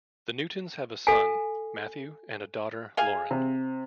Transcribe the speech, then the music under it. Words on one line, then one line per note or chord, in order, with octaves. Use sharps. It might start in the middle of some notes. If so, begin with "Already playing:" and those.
The Newtons have a son, Matthew, and a daughter, Lauren.
A4 F5 G#5
G#4 F5 G#5
C3